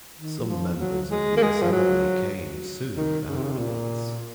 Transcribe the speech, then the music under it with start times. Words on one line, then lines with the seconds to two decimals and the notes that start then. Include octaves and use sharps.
Some members of the Assembly came soon afterwards.
0.19 D#3
0.44 F#3
0.49 F3
0.80 F#3
1.11 G#3
1.37 A#3
1.43 G#3
1.62 F3
1.72 F#3
2.97 D#3
3.28 C#3
3.36 C3
3.43 C#3
3.51 C3
3.58 A#2